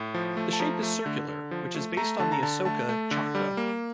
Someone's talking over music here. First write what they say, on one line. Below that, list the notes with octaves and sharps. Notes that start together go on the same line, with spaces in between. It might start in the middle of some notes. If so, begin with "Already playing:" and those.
The shape is circular, which is based on the Ashoka Chakra.
Already playing: A2
F3
A3
A5
F3 A#5
A3
D3
D3
F3
A3
A3 A#5
D3 A5
A#5
D3 A5
A3 A5
A3
D3
G3
A#3